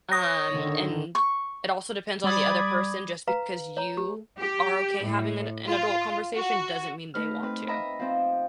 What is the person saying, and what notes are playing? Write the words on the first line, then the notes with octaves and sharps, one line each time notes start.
Um, and it also depends on the other person just because you are okay having an an adult conversation doesn't mean they want to.
C#5 D#6 A#6
D3 D#3
C#6
G3 D5 B5 D6 D#6 G#6
B4 F5 A#5
C#5 A#5
G4
G4
A2
F4
F#4
A3 D#4 B4 F6
C4 B4
D#5 E5 A#5 B5
F3 C4